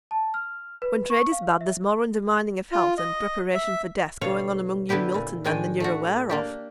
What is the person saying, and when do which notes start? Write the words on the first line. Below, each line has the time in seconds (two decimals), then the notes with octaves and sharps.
When trade is bad, there's more undermining of health, and preparation for death, going on among you Milton men than you're aware of.'
0.11 A5
0.34 F6
0.82 B4
1.10 C#6
1.32 F5
1.61 E5
2.72 F4
2.98 D#5
3.54 E5
4.21 B2 D3 C#5 F5
4.89 D3 B3 E4 G4 B4
5.14 A#2
5.44 A2 D#3 G#3 D4 G5 G#5
5.80 A3 D4 F#4
6.30 A#3 D4 G4